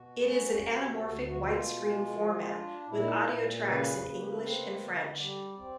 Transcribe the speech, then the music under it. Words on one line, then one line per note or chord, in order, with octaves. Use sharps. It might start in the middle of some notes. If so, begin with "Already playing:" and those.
It is in anamorphic widescreen format with audio tracks in English and French.
Already playing: B2 F#4
C#4
C3
D2
F#4
B2 F4
G#3
F3
D4
A#2 E4
D#4
E4
A#2
C#3 B4
A#3
C4
D3
G3 D5
C4